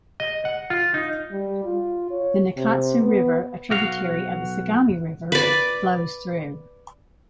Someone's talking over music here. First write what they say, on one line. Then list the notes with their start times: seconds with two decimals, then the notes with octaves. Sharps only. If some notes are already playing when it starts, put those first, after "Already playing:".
The Nakatsu River, a tributary of the Sagami River, flows through.
0.20 D#5
0.45 F#5
0.70 F4
0.94 D#4
1.31 G3
1.65 F4
2.11 C#5
2.57 C3
3.01 B3
3.70 B1 F#4 F5
5.32 B4 D5